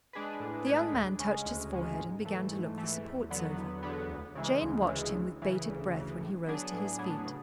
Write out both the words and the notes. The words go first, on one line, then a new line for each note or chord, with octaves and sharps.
The young man touched his forehead and began to look the supports over. Jane watched him with bated breath when he rose to his feet.
G#3 D4 G#4 B4
A2
G#3 D4 G#4 B4
D2
C#3 G#3 C#4
D2
C#3 G#3 C#4
G#2
E3 A3
G#2
E3 A3
E2
D3 F#3 B3
E2
D3 F#3 B3
D2
C#3 E3 G#3
D2
C#3 E3 G#3
D2
C#3 E3
D2
C#3 E3
A2
F#3 B3 D4 G#4
A2
F#3 B3 D4 G#4
C#3